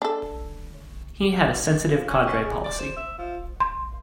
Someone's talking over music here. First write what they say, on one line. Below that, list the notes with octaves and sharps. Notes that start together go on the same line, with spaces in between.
He had a sensitive cadre policy.
D4 A4
F3
C#4
C#4
G#3
D5
C5
E5
F3
C6